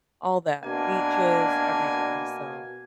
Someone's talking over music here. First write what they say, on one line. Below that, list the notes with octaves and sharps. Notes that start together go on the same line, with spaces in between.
all that beaches, everything, so
B2 A#3 D4 G#5